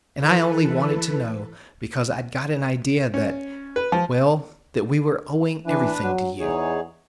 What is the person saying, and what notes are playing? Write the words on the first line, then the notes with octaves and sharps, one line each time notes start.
"And I only wanted to know--because I'd got an idea that--well, that we were owing everything to you."
E3 A4 B4
C#4
B4
F3
E3 D4 B4
F#3
E2 D#4 G#4 C#5